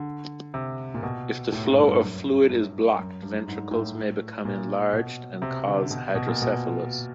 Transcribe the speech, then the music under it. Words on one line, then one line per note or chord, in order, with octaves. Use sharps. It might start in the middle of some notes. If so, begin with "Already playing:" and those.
If the flow of fluid is blocked ventricles may become enlarged and cause hydrocephalus.
Already playing: D3
C3
A#2
B2
A2
G#2
G2
G2
F#2
G2
F#2
G2
G#2
A2
A#2
B2
C3
D3
B2
B2
A#2
B2